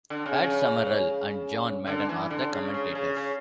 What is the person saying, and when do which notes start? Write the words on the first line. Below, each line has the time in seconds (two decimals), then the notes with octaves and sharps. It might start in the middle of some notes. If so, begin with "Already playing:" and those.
Pat Summerall and John Madden are the commentators.
0.10 D3
0.26 C#3
0.42 C#3
1.87 D3
2.09 E3
2.31 D3
2.52 C#3
2.74 C#3
2.95 C#3
3.17 C#3